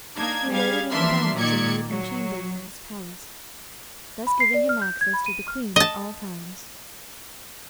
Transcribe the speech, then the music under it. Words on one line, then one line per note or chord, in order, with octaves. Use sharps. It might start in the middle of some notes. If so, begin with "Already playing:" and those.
He loaded him with honors, and made him chamberlain of his palace, thus giving him access to the queen at all times.
A#3 D4 D#4 G#6
G3 G#4 F5 G#6
E3 F3 A#3 D4 E5 C6
A#2 D#3 D5 G#6 C#7
F#3
B5
C7
D5
F6
G6
G#6
B5
D#7
F6
D#5 A5